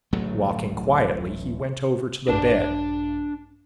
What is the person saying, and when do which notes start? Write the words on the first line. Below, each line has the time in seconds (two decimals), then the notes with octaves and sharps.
Walking quietly, he went over to the bed.
0.13 D1 A1 F#3 A3
2.28 A#1 G2 D4 A5